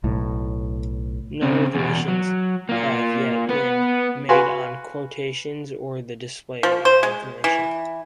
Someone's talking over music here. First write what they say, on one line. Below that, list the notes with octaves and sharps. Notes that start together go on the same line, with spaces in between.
No regulations have yet been made on quotations or the display of information.
B1 A2
C#3 C4
E2 B2
F#3
A#3 F4
B3 B4
F#4 B4 F5 G#5 C6
F3
C5
G#3
E3